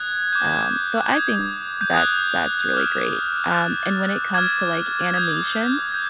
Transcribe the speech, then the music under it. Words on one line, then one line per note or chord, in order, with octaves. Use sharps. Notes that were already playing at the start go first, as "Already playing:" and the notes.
Um, so I think that's that's really great. Um, and when it comes to, like, animations,
Already playing: D#6 F#6 G#6
D6 G6
D#6 F#6 G#6
G6
D#6 F#6 G#6
D6 F6
D6 F#6 A6
D6 F6 G#6
D#6 G6 G#6
G6